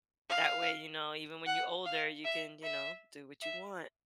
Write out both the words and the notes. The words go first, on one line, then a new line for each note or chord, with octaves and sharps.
That way, you know, even when you older, you can, you know, do what you want,
F5
F#5
F5
E5
E5
E5